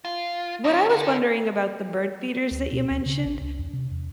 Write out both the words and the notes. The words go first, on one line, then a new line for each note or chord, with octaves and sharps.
What I was wondering about the bird feeders that you mentioned,
F4
C#4 D#4
D3
D2
B2
D2
C#3
A1
C#2
E2
C3
E2